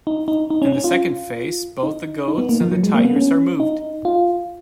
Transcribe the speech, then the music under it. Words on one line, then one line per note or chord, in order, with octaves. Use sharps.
In the second phase both the goats and the tigers are moved.
D#4
D#4
D#4
C#4
C#4
F4
D#4
D#4
B3
A#3
F3
F#3
G#3
A#3
B3
C#4
D#4
F4